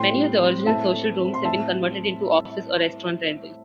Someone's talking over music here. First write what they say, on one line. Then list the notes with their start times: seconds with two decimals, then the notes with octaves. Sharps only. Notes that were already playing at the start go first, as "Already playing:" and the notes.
Many of the original social rooms have been converted into office or restaurant rentals.
Already playing: A2 C4 G5 C6
0.14 G3
0.40 C4
0.66 A2 E5 A5
0.93 A3
1.19 C4
1.34 C6
1.45 A2 E5 A5
1.71 G3